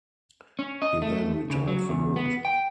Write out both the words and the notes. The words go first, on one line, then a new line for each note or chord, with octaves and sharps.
He then retired for good.
C#4
D#5
A3
C#3
F#3
E2
B3
G5